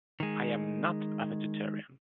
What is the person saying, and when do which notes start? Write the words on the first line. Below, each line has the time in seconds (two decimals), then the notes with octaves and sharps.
I am not a vegetarian.
0.20 D#3 G#3